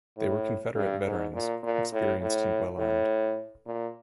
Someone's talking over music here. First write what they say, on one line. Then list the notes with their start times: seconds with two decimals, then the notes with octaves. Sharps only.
They were Confederate veterans, experienced and well armed.
0.18 A2
0.76 G2
1.06 G#2
1.34 A#2
1.63 A#2
1.92 A2
2.22 A2
2.79 A2
3.67 A#2